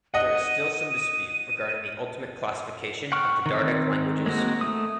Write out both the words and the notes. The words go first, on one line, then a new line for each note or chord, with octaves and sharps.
There is still some dispute regarding the ultimate classification of the Dardic languages.
D#5 F#5 D#7
F#5 G5 C#6 F6
D#3 C4
G#3 A#3 C4 F#4
A3 D#6